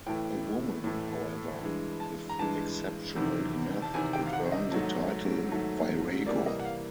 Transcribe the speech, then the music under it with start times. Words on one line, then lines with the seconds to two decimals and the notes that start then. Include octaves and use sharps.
A woman, however, if exceptional enough could earn the title "virago".
0.06 A2 E3 A3 G5
0.84 A2 E3 A3
1.61 G2 E3 G#3
2.00 A5
2.29 A#5
2.39 G2 E3 G#3 A5
3.16 E2 C3 D#3
3.82 A5
3.94 E2 C3 D#3 G#5
4.13 G5
4.26 F5
4.33 F#5
4.52 D#5
4.71 G#2 D#3 F#3 A3
5.49 G#2 D#3 F#3 A3
6.26 C3 E3 G3 A#3 D5
6.46 D#5
6.60 F#5
6.65 F5